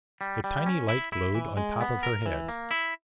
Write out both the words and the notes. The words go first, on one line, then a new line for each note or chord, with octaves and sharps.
A tiny light glowed on top of her head.
G3
G3
C#4
E4
E4
E3
G#3
B3
A#4
E3
A#3
E4